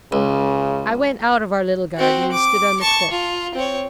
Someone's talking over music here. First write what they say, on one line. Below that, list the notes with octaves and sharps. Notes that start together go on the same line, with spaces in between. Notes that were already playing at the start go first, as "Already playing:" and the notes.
I went out of our little garden, and stood on the cliff.
C#2 C#3
C4 F#4
D6
A5 C#6
F4
C4 C#5